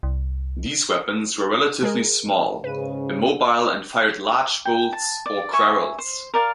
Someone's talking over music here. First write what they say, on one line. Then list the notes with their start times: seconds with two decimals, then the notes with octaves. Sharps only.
These weapons were relatively small, immobile, and fired large bolts or quarrels.
0.03 C2
1.83 G#3 G#4 A#4
2.64 G#2 C#3 B4 D#7
4.65 G5
4.93 A5
5.26 D5
5.53 E5 G#5 C#6
5.98 C5
6.34 A#4 D5 F5